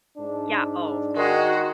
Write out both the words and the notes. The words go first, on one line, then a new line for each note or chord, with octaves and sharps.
Yeah, oh, of cour
G#2 D4
D#3 G#3 F#4